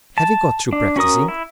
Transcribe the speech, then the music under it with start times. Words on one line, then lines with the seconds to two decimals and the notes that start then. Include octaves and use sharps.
Have you got through practising?
0.18 A5
0.73 D4
0.96 C#4 F#4 A#4 D#6
1.28 E4